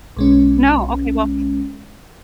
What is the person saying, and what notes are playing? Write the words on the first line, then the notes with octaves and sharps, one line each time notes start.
No, okay, well,
B1 G#3 C#4